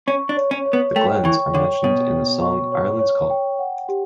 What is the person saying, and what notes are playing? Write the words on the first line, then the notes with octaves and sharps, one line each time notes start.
The Glens are mentioned in the song "Ireland's Call".
C#4 C#6
D4
C#5
C#4
C#5
B3
A3 G5
E3 C#6
D3 C#5
B2 C#5
G5
C#6
C#5
C#5
G5
F#5
G4